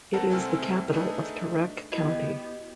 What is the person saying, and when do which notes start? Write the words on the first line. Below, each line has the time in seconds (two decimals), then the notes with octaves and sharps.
It is the capital of Turek County.
0.13 C4 A4 A#4 F#5 A5
0.30 C2 A3 C4 G#5 E6 F6
0.93 A3 D4 D#4 G#4 B4
1.92 B3 E4 F#4 G4 D#5